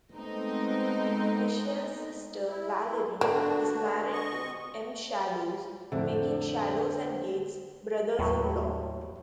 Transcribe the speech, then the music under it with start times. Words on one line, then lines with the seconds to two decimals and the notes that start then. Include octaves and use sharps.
Michelle's sister, Valary, is married to M. Shadows, making Shadows and Gates brothers-in-law.
0.13 G#3 A3 B3 C4 D#4 D#5
2.48 E4
3.21 D3 A#3 B3 D4 F#4
4.12 D#5 C#6
5.92 F2 A2 D3 C5 E5
8.19 D#2 A2 F#3